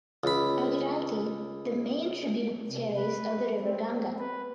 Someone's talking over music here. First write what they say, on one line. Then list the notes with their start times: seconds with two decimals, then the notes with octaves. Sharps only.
Bhagirathi the main tributaries of the river Ganga.
0.24 C#2 B5
2.67 C3
2.96 B4
3.60 C4
4.19 B4